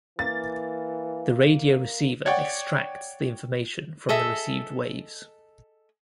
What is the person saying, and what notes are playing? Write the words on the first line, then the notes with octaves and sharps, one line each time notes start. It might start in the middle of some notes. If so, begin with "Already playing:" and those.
The radio receiver extracts the information from the received waves.
E3 A#3 A6
C#5 D5 F#5 G5
G#4 A4 D#5 E5